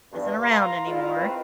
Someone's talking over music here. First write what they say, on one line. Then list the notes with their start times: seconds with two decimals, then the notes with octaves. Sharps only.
isn't around anymore,
0.11 E2 G2
0.42 F5 A#5 C6
0.87 G3 G#3 E4 F4
1.16 D#3 C4 B4